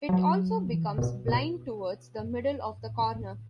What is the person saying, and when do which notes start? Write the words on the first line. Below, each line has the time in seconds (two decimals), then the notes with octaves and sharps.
It also becomes blind towards the middle of the corner.
0.09 F#3
0.68 E3
0.84 D3
0.98 B2
1.28 B2
2.18 F#2
2.77 A2